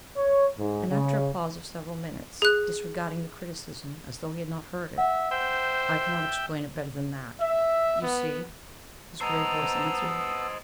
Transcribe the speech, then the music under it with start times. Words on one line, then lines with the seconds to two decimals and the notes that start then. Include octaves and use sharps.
And after a pause of several minutes, disregarding the criticism as though he had not heard it--"I cannot explain it better than that, you see," his grave voice answered.
0.17 C#5
0.59 G#2
0.90 C#3
2.42 G#4 F#6
4.98 E5 F#5
5.31 C5 E5 G5
7.41 E5
8.03 B3
9.21 B3 C5 D#5 A5 A#5 E6